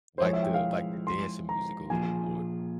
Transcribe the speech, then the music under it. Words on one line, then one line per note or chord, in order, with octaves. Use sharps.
Like the like the dancing music a little more.
C5
F3 G#3 E4 G#4 C#5
E5
G5
F5
C6
A#5
A#2 F3 A#3 F4 G#4 G#5